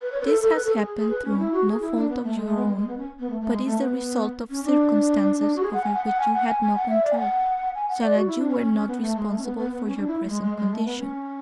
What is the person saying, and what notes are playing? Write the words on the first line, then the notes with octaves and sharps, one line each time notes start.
This has happened through no fault of your own but is the result of circumstances over which you had no control so that you are not responsible for your present condition.
B4
C#5
B4
A4
A4
B4
A4
G#4
G#4
B4
C#4
E4
F#4
G#4
E4
D4
B3
A3
G#3
A3
B3
G#3
G#3
B3
C#4
B3
A3
A3
G#3
A3
B3
C#4
D4
F#4
G#4
F#5
G#5
F#5
F#5
G#5
F#5
G#5
G#5
F#5
E5
D5
G#5
F#5
G#5
F#5
D5
F#4
E4
D4
C#4
C#4
C#4
B3
A3
G#3
A3
C#4
B3
B3
B3
C#4
D4
E4
A3
G#3
G#3
G#3
A3
B3
C#4